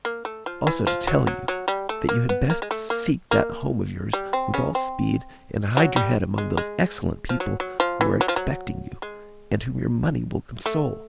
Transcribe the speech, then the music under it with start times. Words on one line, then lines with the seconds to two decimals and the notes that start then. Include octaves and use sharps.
Also to tell you, that you had best seek that home of yours, with all speed, and hide your head among those excellent people who are expecting you, and whom your money will console.
0.05 A#3
0.25 A3
0.46 F3
0.67 E3
0.87 F3
1.07 F#3
1.27 F#3
1.48 F#3
1.68 G3
1.89 A3
2.09 A#3
2.29 B3
2.50 A#3
2.62 G#3
2.71 A3
2.90 A#3
3.31 A#3
4.13 G3
4.33 C4
4.54 C#3 C#4
4.75 C4
5.77 F#3
5.96 G3
6.38 G#3
6.57 G#3
7.29 F3
7.40 F#3
7.60 F#3
7.80 F3
8.01 E3
8.21 F#3
8.28 F3
8.36 F#3
9.02 G#3
10.66 A3